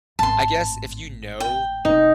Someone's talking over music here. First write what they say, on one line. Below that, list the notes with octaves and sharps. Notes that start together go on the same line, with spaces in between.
I guess if you know
G#1 A2 A5 C6
G5
F1 D#4